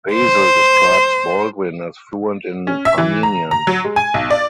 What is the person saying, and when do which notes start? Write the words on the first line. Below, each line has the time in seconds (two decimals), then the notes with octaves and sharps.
Basil describes Baldwin as fluent in Armenian.
0.14 C5
2.67 C#4
2.85 E5
2.98 E3
3.23 A#5
3.51 A#5
3.67 F#3
3.85 G#3
3.96 G#5
4.14 B1
4.30 D5